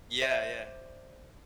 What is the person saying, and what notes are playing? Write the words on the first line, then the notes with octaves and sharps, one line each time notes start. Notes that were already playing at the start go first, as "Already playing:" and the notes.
Yeah, yeah.
C5 D5 E5